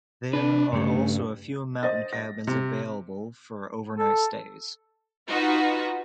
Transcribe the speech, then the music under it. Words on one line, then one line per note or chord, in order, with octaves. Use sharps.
There are also a few mountain cabins available for overnight stays.
C3 D4 B4
G2 C#3 A3
C5 D#5 A6
A#6
C3
A4
D#4 F4 F#4 B4